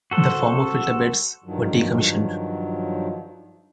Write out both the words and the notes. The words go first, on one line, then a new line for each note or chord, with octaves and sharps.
The former filter beds were decommissioned.
F#4 A4 C5
G2 D#3 F3 F#3